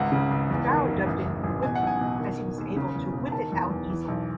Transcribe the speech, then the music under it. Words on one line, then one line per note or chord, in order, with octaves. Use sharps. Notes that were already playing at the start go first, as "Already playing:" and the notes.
Barrow dubbed it the "Whippit", as he was able to "whip it" out easily.
Already playing: G#1 C#2 F#5
C#3
C#2
E2
D#3
F#1
A1
A1
A1
B2 G#5
F#5
B1 G#5
B2
D#3
D#3
D#2
C#3
E2
E1
D#3 A5
E2
E2
E3
B1